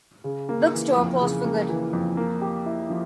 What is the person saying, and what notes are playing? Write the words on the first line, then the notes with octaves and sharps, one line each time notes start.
Bookstore closed for good.
C#3
A#3
E3
F2
C#3
A#3
E3
F2
A#3
G4
E4
F3